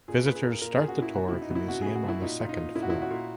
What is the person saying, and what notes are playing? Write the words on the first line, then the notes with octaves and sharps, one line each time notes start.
Visitors start the tour of the museum on the second floor.
A#2 G#4
A#2 B4
G#4
A#2 A#4
A#2 A#4
A#2 G#4
F#4
A#2 E4
B2 F#4
B2 E4
D#4
B2 E4
B2 F#4
B2 G#4
F#4
B2 E4
A#2 D#4
A#2
D#4
A#2
A#2 E4
F#4
A#2 E4
F#4
A#2